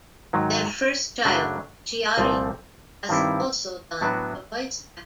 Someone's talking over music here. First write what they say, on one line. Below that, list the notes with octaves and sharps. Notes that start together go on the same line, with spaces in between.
Their first child, Shiori, has also done voice acting.
G#2 D#3 F#3
F#2 C#3 F#3 A3 D4
C2 A#2 F3 A3 C4
G2 D#3 G3 C4 E4
A2 F#3 B3 D4 F#4